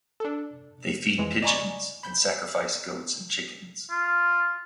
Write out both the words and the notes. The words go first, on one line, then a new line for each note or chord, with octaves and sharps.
They feed pigeons and sacrifice goats and chickens.
D4 A4
F2 E3 G#3
D5 D#5 G#5 A#5 B5 C#6
B5 G6
F4